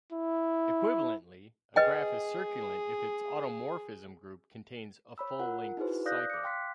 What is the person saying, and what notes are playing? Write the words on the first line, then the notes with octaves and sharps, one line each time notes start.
Equivalently, a graph is circulant if its automorphism group contains a full-length cycle.
E4
G#4 B4 D#5 G5
C#5 B5 E6
F4 A#4 F#5
D#4 E4 F#4 G#4 B4 C5
D5 F5 D#6 F#6 G6 A#6
D6 C#7
F5 G5 C6 F#6 B6